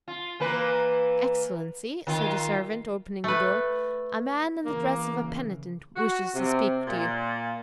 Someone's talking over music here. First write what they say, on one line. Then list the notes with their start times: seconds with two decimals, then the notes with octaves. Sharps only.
"Excellency," said a servant, opening the door, "a man in the dress of a penitent wishes to speak to you."
0.08 F4
0.40 E3 A#3 B4
2.07 D#3 F4
3.24 A3 B4
4.65 C#3 E3 A#3
5.96 F#4
6.34 C3
6.86 A#2